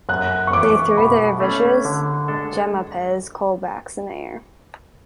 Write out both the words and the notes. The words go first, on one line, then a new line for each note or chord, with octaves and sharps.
They threw their vicious Jemmapes colbacks in the air.
F#2 F#6
C#6
E3 B3 E4 D6
B2 B5
A3 C#4
D3
G#3 D4 A4